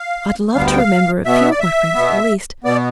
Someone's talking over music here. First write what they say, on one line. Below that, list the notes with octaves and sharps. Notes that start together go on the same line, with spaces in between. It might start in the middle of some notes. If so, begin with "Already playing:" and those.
I'd love to remember a few of my friends at least.
Already playing: F5
D2 D3 G3 B3 F5
G5
F5
B2 B3 E5
D5
E5
B2 B3
B2 B3 D5